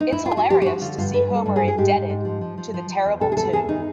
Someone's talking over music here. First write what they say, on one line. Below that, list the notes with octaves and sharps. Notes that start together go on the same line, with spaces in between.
It's hilarious to see Homer indebted to the Terrible Two...
D#4
E4
F4
F#4
F3 G4
G4
F3 F#4
D3 F4
G2 F4
G2 B4
G2 A4
G2
G#4
G2
G#4
G#2 G4
G#2
G#2
F3
F3
F3
F3
F3
E2
C3 A4
G#4
E2 A4
E2 G#4
D#3 D#4